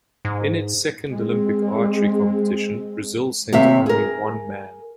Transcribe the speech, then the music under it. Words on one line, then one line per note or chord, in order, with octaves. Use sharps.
In its second Olympic archery competition, Brazil sent only one man.
G#2
G#3 C4
D#2 C3 E5
G#4 A#4